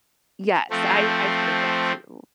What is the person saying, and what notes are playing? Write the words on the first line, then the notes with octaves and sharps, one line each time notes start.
Yes, I I've heard that too.
F3 A3 C4